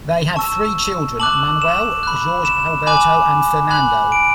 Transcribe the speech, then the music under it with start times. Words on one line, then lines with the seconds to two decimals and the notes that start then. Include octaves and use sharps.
They had three children: Manuel, Jorge Alberto and Fernando.
0.36 A5 C#6 E6
1.20 A5 D6 F#6 F#7
1.62 E7
2.03 B5 F#6
2.45 E7
2.87 G#5 B5 D6 F#6
3.70 G#5 B5 F#6
4.12 D7